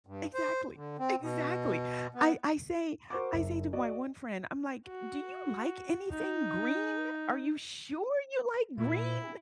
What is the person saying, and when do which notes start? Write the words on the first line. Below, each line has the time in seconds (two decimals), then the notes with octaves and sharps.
Exactly. Exactly! I I say I say to my one friend, I'm like, "Do you like anything green? Are you sure you like green?"
0.07 G2
0.34 C5
0.76 D3
0.99 C4
1.21 B2
2.14 B3
3.10 F#4 A#4 C5 F#5 C#6 D6
3.33 F#1 A#4 E5
3.73 F#4 D5 D#5
4.87 F#4
6.11 D#4
8.78 A#2 E4